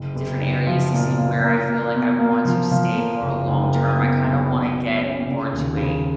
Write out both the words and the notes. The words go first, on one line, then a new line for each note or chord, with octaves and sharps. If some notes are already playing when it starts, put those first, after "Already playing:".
different areas to see where I feel like I want to stay more long term. I kinda wanna get more to a
Already playing: F#1
F#1
F#1
F3
A#2
A#2
A#3
A#3
B2
A#3
F3
F3
A#3
F#1
F#1
A#3
B2
B1
B2
B2
C#4
C#3
D#2
C#3